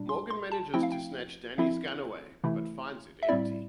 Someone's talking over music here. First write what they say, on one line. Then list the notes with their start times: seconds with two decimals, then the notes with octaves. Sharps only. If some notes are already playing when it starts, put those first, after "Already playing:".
Morgan manages to snatch Danny's gun away, but finds it empty.
Already playing: A#2 G3 D4
0.09 C6
0.30 C6
0.52 A5
0.74 F3 A3 C4 E4 G5
0.83 F5
0.92 G5
1.58 F3 C4 E4 E5
2.44 C3 E3 A3 E4
3.23 E5
3.29 A2 G3 C4 E4 D5